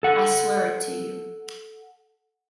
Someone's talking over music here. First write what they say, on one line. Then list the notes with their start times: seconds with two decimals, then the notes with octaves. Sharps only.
I swear it to you.
0.03 A4 F#5